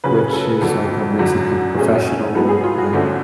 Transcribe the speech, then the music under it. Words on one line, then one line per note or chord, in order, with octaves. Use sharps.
which is like a Mexican professional, like,
C#3 F#3 C#4 B4
A4
F2 D3 F#3 A4
F#2 D3 F#3 F#4
B2 A3 C#4 G#4
A2 F#3 B3 A4
G#4
F4
F#4
F2 D3 F3 A3 C#4